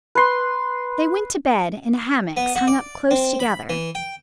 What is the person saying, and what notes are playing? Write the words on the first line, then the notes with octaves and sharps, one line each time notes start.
They went to bed in hammocks hung up close together.
B4 C6
B3
F#4
D5
C4
B5
E3
G5